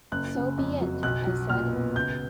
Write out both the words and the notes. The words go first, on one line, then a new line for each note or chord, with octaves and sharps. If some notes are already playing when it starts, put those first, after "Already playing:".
"So be it," I said.
F#1 F#6
C#3
F2
F#3
B1 F#6
F#3
A#2 F6
B3
C#2 G6